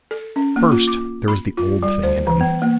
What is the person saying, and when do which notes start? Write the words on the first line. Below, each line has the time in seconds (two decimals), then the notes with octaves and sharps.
First there was the old thing in him.
0.11 A4
0.36 C#4
0.56 A#3
0.72 F4
0.88 D6
1.28 B5
1.57 F4
1.83 G3
2.03 C5
2.27 E3
2.41 B3
2.62 A#3